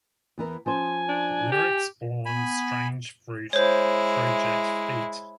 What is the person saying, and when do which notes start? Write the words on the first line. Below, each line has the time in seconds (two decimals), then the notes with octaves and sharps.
Lyrics Born, Strange Fruit Project Feat.
0.38 E2 E3 A#4
0.66 F3 C#4 C5 G#5
1.08 D4
1.52 G4
2.26 B3 G#5 B5
3.53 G#3 E4 C5 C#5